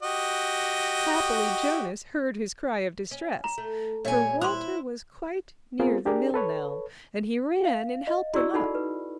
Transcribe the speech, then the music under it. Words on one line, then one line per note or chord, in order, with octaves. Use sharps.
Happily Jonas heard his cry of distress, for Walter was quite near the mill now, and he ran and helped him up.
F#4 G4 D#5
C#4
A#5
A3
A#2 G3 C#5 E5 G#5
E4 C5 C6
B3 C4 F4 G#4 A#4 C5
D4 G4 G#4 A#4 D5
A4 B4 C#5
F5
D#5
E4 F#4 G#4 D5 C#6 E6
D#4 A4 F#5 B5
B4